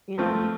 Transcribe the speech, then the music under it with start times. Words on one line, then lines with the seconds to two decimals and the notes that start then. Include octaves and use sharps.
you know?
0.18 F3 A3 C4 F4